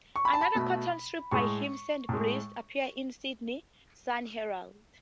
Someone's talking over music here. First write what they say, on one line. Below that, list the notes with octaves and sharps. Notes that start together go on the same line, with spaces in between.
Another cartoon strip by him, "Sandy Blight", appeared in Sydney's "Sun-Herald".
C#6
B5
A5
B5
B2 A3
A2 G#3 C#6
A2 G#3